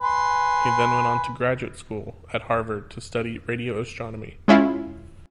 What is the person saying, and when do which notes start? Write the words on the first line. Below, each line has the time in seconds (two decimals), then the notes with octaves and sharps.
He then went on to graduate school at Harvard to study radio astronomy.
0.02 B4 G#5 C6
4.48 G#3 C#4 E4 F4